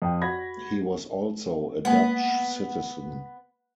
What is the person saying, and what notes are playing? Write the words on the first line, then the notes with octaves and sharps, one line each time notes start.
He was also a Dutch citizen.
F2 G5
F#4 B5 G#6 A#6
G#3 A#3 B3